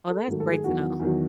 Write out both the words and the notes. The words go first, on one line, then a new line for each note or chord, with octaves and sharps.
Well that's great to know.
A4
G#2 D#3 F#3 A3
A4
G#4
E2 D#3 F#3 F#4
E2 D#3 F#3